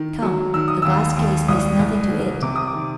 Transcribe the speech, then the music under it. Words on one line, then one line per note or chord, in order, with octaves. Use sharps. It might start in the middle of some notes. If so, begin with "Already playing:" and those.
Come, a glass case is nothing to it.
Already playing: D#3
F#3
D#3 E6
D#6
D#2 E6
D#2
C2 D#6
C2
D#3
C3 D6
D#6
D6
D#3